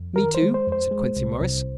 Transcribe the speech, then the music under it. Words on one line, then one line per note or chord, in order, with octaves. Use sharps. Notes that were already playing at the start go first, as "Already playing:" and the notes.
"Me too?" said Quincey Morris.
Already playing: F2
D#3 A#4
C5
G#3
C5
F2
C5
G#3
C2
C2